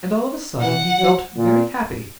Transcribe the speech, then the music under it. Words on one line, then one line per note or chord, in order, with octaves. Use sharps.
And all of a sudden he felt very happy.
E3 F#5
F#3
A#2